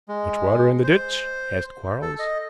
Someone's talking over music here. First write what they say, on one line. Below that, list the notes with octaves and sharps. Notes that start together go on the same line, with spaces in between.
"Much water in the ditch?" asked Quarles.
G#3
C5
A4
D#5